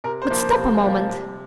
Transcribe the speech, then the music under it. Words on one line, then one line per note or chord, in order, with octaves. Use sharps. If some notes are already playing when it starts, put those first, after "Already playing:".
But stop a moment.
C3 A#4
C5
F3 A#3
C5
C3
F3 A#3
C3